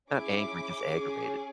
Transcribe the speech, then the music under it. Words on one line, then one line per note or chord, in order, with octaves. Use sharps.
not angry, just aggravated.
C#4 E4 G#4 D6
C#4 G#4